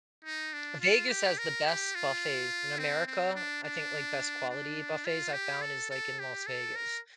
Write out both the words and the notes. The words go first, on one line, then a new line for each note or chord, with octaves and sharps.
Vegas has the best buffets in America, I think, like, best quality buffets I found is, like, in Las Vegas.
D#4
D4
F4
G4
A#4
G4
F4
C4
C4
D4
D4
D4
F4
G4
A4
A4
G4
A4
A#4